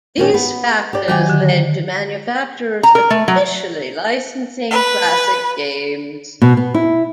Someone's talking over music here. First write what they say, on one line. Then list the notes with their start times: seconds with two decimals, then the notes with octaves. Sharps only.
These factors led to manufacturers officially licensing classic games.
0.18 A#2 D#3 C#4
0.34 B3
0.93 G4 D5
1.08 D#3 F#3 G5 G#5 D6
1.27 D3 G4
2.83 A#5
2.95 A#4
3.10 A3
3.28 F#3
4.70 B4
6.42 B2
6.57 B3
6.74 E4